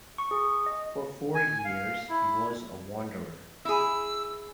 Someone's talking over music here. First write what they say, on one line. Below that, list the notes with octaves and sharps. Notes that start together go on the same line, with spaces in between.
For four years, he was a wanderer.
C#6
G#4
D#5
G#5
F5
E4
E4 G#4 E6